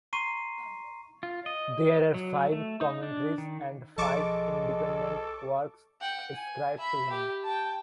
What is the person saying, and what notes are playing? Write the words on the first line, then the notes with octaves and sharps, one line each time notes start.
There are five commentaries and five independent works ascribed to him.
A#5 C6 C#6 C7 D#7
F4
D#5
F#3
A3
D#4
D4
D#3
B1 F3 G#3 A4 A5 C#6 D6
F#5 G5
G#5
E5 B5
G4
G5 A5